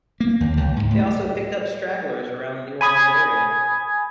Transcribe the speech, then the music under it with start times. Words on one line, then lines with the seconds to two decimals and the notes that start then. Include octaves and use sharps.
They also picked up stragglers around the New Orleans area.
0.20 A#3
0.41 D#2
0.57 C#2
0.76 G#2
0.91 A2
2.81 G#5 B5 D#6 G#6